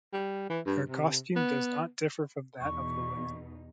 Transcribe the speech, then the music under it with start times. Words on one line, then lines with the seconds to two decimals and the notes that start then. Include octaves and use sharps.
Her costume does not differ from that of the women.
0.13 G3
0.50 E3
0.66 G2
0.90 C3
1.36 B3
2.61 E2 B2 D#4 C#6